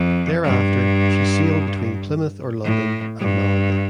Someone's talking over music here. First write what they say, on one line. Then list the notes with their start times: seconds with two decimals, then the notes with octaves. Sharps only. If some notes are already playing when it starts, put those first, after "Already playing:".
Thereafter she sailed between Plymouth or London and Malaga.
Already playing: F2
0.43 G2
2.63 A2
3.19 G2